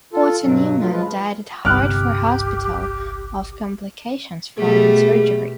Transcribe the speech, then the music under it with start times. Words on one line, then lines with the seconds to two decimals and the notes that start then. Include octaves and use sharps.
Otto Neumann died at Hartford Hospital of complications following surgery.
0.13 F4 A4
0.43 G2 B2 F#3
0.80 F#3 A3 F4
0.92 F3 G#3 F4 B4
1.65 G1 C2 G4 D6 F6 F#6
4.58 B2 G3 A3 G#4